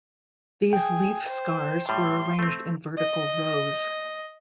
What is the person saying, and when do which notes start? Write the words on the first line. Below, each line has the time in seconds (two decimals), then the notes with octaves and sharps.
These leaf scars were arranged in vertical rows.
0.73 G#4 G5
1.28 C5
1.89 A2 G3 C6
2.39 A3 C4
2.98 D#5